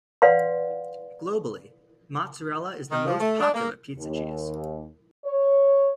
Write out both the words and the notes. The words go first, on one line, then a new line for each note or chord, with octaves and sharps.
Globally, Mozzarella is the most popular pizza cheese.
B4 D5 F5 F#5 C6
D#3
F3
A3
D4
A#3
D#2
C#5